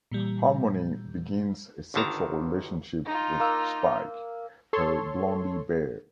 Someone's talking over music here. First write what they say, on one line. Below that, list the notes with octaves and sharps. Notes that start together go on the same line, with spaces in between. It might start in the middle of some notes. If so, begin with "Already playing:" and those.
Harmony begins a sexual relationship with Spike, her blondie bear.
A#2 E3 G3
G1 C#2 D3 D#3 A5 A#5
D#4 F4
A#3 E6
A4 C#5 C6